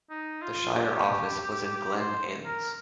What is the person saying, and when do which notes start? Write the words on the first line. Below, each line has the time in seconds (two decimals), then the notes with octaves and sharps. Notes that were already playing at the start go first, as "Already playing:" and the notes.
The shire office was in Glen Innes.
0.10 D#4
0.42 F4
0.73 G4
1.99 C5
2.45 A#4